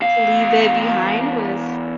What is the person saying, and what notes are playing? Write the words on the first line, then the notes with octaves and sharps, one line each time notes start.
to leave it behind was
E2 F5